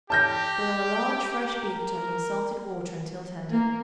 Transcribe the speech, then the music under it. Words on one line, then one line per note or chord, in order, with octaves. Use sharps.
Boil a large fresh beef tongue in salted water until tender.
G4 A5 G6 A#6
A#4
A#3